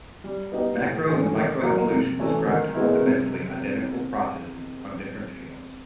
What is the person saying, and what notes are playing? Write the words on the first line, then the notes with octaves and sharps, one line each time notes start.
Macro and microevolution describe fundamentally identical processes on different scales.
G3
B3 D#4 G4
A2
E3 A3 C#4
D#3
F#3 A#3
C3
E3 A3 C#4 E4
D#3
G#3 B3 E4
C3